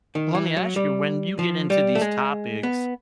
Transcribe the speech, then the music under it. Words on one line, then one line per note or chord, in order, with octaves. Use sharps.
lemme ask you, when you get into these topics,
D#3
E3
F#3
G3
F3
G3
A3
G#3
B3